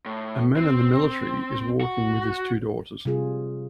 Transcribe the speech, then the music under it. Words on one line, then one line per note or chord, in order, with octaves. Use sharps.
A man in the military is walking with his two daughters.
A2
C4
F#4
C3 G3 F4 G#4